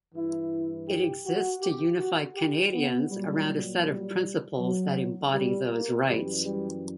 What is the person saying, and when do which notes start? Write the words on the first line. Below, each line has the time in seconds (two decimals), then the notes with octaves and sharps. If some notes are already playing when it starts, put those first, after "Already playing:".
It exists to unify Canadians around a set of principles that embody those rights.
0.13 G2 E3 E4
0.87 G4
1.25 F#4
1.61 G4
1.98 F#4
2.35 G4
2.72 B3
3.09 A#2 F#3 G3
3.84 G3
4.58 F#3
5.32 G3
5.69 A#3
6.06 F#2 E3 G3
6.43 G3